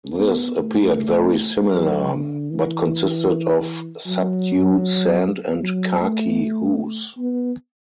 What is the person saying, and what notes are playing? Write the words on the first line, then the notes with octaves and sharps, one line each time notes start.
This appeared very similar, but consisted of subdued sand and khaki hues.
B3
A3
F#3
D3
E3
F#3
F#3
A3
B3